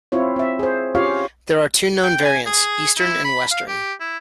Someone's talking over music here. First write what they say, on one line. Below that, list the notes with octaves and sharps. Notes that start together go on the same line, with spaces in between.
There are two known variants: eastern and western.
C4 E4 F4 C#5
C4 E5
G#4 C5
C#4 F4 G4 C#5 F5
G5
G#5
G#4
E4
B5
F5
G4
E4